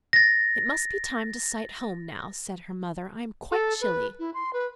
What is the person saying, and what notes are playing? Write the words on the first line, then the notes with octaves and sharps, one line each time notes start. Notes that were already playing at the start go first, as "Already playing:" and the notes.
"It must be time to sight home now," said her mother; "I am quite chilly."
A6 A#6
A4
B4
E4
C6
B4